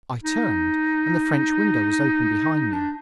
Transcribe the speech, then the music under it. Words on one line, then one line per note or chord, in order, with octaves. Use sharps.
I turned, and the French window was open behind me.
D#4
D4